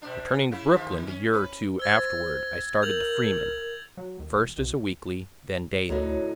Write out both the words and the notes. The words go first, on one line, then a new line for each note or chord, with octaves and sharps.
Returning to Brooklyn a year or two afterward I started the "Freeman," first as a weekly, then daily.
B2 D4
C#3 E4
D#3 F3
D#3
C#4
C#4 B4
C5 E6 G#6 A6
A#4 G6 F7 F#7
F#3
D#2
E1
B1
D2 A2 D3 F#3 D#4